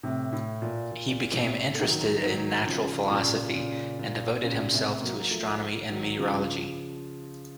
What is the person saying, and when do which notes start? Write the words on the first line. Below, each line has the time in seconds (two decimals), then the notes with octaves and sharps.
He became interested in natural philosophy, and devoted himself to astronomy and meteorology.
0.03 A2 C3
0.33 A2
0.62 A#2
0.91 A#2
1.35 A2 C3
1.74 A3
1.79 D#3 F#3
2.23 D#3 F#3
2.67 C#3 F3
3.11 A#2 C#3
3.55 A#2 C#3
3.99 A#2
4.43 A#2 C#3
4.72 A2 C3
5.02 F#3 A#3
5.31 F3 A3
5.89 D#3 F#3
6.19 C#3 F3